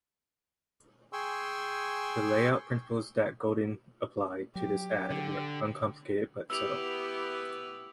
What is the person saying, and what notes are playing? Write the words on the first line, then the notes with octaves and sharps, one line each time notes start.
The layout principles that Golden applied to this ad were uncomplicated but subtle.
G#4 G5 G#5 C6 C#6 E6
F#3 G4
D3
B3 E4 G4 E6 F7